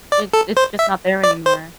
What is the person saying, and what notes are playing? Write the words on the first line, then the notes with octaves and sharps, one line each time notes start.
It it's just not there anymore.
D5
A4
C5
E5
D5
C5